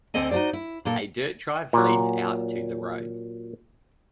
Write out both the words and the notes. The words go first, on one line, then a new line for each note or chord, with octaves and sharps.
A dirt drive leads out to the road.
D2 D3 C4 A4 D#5 G#5
D#4 F#4 A#4 C5 D5
E4
A#2 A#3 A4
A#2 F#3